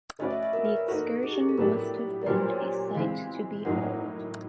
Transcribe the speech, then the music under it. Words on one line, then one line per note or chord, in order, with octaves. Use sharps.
The excursion must have been a sight to behold.
A3 C#4 F#4 B4 D5 D#5
E5
E5
A#4
B4
A#4
A#3 D#4 F#4 A4
G#4
G4
G#4
A4
A2 F#3 B3 D4 G4 A#4
A#4
A#2 F#3 A#3 D4 G4 B4
C5
C#5
E3 G#3 C4 F5
A2 F#3 A#3 D#4 F#5